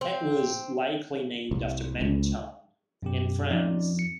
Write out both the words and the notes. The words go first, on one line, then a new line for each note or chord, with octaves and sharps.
It was likely named after Menton, in France.
C4
C2
C#2
F#2 B2 G4
F2 C#4 D#4 D5
C#7